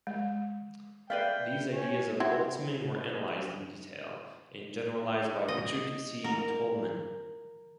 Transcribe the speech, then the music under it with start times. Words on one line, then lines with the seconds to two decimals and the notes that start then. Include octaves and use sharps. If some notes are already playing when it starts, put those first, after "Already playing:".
These ideas of Boltzmann were analyzed in detail and generalized by Richard C. Tolman.
0.07 G#3
1.10 B4 D5 E5 F5 G5
1.72 C#4
2.20 C4 E4 F#4
5.48 D#5
6.24 A#4